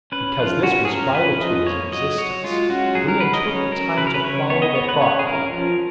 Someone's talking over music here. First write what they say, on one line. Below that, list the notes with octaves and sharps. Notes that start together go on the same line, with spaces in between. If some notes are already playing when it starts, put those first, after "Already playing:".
Because this was vital to his existence, Brion took the time to follow the thought through.
C#4 B4
F3 F4
C#4 F#4
G#4
C#4 A#4
C#4 B4
F3 D#5
A#3 C#5
F#3 D#5
F#3 C#5
G#3 F4
C#4 F#4
F#3 G#4
A#4
F#3 B4
D#5
C#4 C#5
F#3 A#4
C#3 B4
A#4
B4
C#3 C#5
B3 C#5
D#5
B3 C#5
B4
C#4 C#5
G#4
C#4 A#4
F3